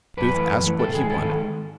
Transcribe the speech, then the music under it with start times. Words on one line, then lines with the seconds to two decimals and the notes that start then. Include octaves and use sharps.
Booth asked what he wanted!
0.17 F#2 B4
0.33 E3 A3
0.48 F#2
0.63 E3 A3
0.79 G#2 A4
0.94 D#3 G#3 G#4
1.10 G#2 A4
1.25 D#3 G#3